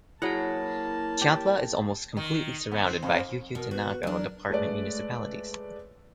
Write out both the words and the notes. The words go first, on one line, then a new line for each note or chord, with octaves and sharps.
Chiantla is almost completely surrounded by Huehuetenango Department municipalities.
F#3 A#3 E4 G#4 C#5 F#5 A5
G4
D#3
B3
C4
F2
B2 A#4
F#4 B4
F#3 D4 A#4
G#3 A3 B4 C#5 D5